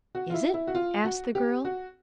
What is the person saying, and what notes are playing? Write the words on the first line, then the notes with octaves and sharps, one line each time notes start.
"Is it?" asked the girl.
F#4
F4
E4
E4
F#4
F4
F#4
G4
F#4